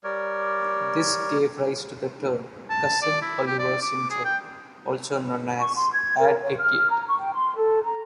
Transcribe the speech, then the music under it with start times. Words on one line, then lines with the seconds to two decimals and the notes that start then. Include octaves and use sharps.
This gave rise to the term "Cousin Oliver Syndrome", also known as "add-a-kid".
0.04 G3 A#4 C#5 D5
2.70 A5
3.02 D5
3.22 E4
3.47 G4
3.59 D5
3.82 D6
4.10 G#4
4.25 G5
5.61 C#6
5.77 C6
5.93 G#6
6.19 A#4
6.43 C#5
6.59 F6
6.91 A#5
7.07 C#6
7.19 G5
7.34 C6
7.56 A4
7.85 A#5